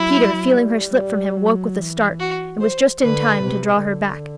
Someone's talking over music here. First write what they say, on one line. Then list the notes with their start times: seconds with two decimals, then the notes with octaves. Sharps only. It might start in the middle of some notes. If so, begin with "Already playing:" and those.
Peter, feeling her slip from him, woke with a start, and was just in time to draw her back.
Already playing: F#3 E4
0.53 G3
0.95 G3
1.36 F#3
1.78 E3
2.20 F#4
2.61 C5
3.02 D3 B4
3.44 C3
3.86 D3